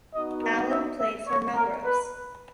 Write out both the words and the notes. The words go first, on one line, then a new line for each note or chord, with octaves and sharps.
Allan played for Melrose.
B3 D#4 F#4 D#5
A#4
E5
E5
C#5
A#4
B4